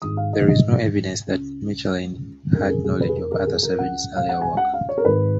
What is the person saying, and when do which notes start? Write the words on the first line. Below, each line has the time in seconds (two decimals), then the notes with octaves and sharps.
There is no evidence that Michelin had knowledge of Arthur Savage's earlier work.
0.02 G#1 G#2 D#3 D#6
0.17 F5
0.33 D#5
0.49 D#5
1.27 C#2 C#3
2.53 F1 A#4
2.56 F2 C#3
2.63 A#4
2.69 G#4
2.84 G#4
3.01 B4
3.09 G#4
3.16 A#4
3.32 A#4
3.47 G#4
3.63 A#4
3.79 C#2 C#3 F#5
4.16 F5
4.29 F#5
4.41 G#5
4.57 F#5
4.74 F5
4.89 C#5
4.98 A#4
5.05 G#1 G#2 D#3 B4